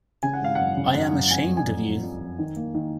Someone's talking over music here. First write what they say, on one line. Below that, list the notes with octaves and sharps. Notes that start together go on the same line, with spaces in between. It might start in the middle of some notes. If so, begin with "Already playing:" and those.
I am ashamed of you!
C#3 G#5
F#5
G#1 F5
F#2 F#5
C#3
F#2
F#2
F2 G#5
F2
G#5
F2
F3
F2
F2
D#3
A#3
D#3